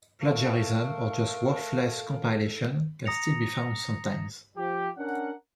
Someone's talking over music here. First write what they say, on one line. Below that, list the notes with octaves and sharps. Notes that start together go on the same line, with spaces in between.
Plagiarism or just worthless compilations can still be found sometimes.
A3 A4 A#4 F5
A#5 D#6 A#6 C#7 F7
F3 G4
C#4 D4 A#4 F#5